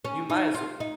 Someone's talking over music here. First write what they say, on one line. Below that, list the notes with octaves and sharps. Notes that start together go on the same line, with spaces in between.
you might as well
C#4
D#4
F4
D#4